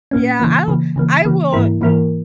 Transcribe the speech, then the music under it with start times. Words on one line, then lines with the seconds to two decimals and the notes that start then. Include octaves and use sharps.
Yeah, I will I will
0.11 A#2 A#3 C#4
0.40 C#3 E3 A#3
0.68 C#3 E3 A#3
0.96 C#3 E3 A#3
1.25 C#3 E3 A#3
1.52 G#2 E3 A#3 E4 A#4
1.81 G#2 E3 A#3 E4 A#4